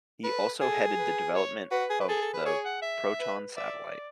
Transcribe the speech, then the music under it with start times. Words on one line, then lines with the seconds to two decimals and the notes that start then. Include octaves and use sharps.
He also headed the development of the Proton satellite.
0.24 A4 B4
0.61 G#4 A4
0.98 B4
1.35 C#5
1.71 F#4 B4
1.90 G#4
2.00 B4
2.08 G#4 A4
2.21 A4
2.34 B4
2.45 G#4 C#5
2.65 F#5
2.82 E5
3.20 B4
3.57 D5 E5